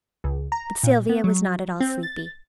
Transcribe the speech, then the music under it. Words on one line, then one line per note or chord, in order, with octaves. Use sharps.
But Sylvia was not at all sleepy.
C#2
A#5
A#2
B3
F#3
C4
A6